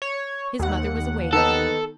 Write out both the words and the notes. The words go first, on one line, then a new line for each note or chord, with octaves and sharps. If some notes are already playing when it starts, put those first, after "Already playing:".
His mother was awaiting him.
C#5
D#2 F#5
D#3 B3 D#4 A4